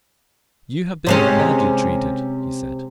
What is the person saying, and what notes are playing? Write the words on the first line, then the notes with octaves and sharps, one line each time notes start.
"You have been badly treated," he said.
C3 G#3 C#4